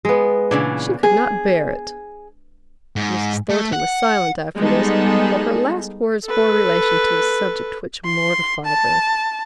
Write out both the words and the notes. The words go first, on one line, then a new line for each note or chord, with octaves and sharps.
She could not bear it.' Mrs. Thornton was silent after this; for her last words bore relation to a subject which mortified her.
G#3 B3
A#2 C#3 E3 D4
G#4
G#2
A3
F#5
G3 G#3 B3 D#4 G#4 A4
A4 B4
C6
A5